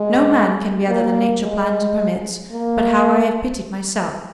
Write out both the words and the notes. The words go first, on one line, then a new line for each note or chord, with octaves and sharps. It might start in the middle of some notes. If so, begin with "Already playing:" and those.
No man can be other than Nature plans or permits, but how I have pitied myself!
Already playing: G#3
A#3
G#3
A#3